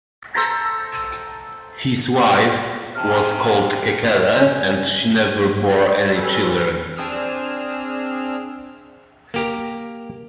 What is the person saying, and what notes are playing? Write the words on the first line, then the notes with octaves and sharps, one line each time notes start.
His wife was called Kekele and she never bore any children.
A4 C5 A#5
C3 G5 A5 F6
C#4
C4 C#4 A4 B4
C4 D4 G#4 E6 F6 E7
A#3 G4 A#4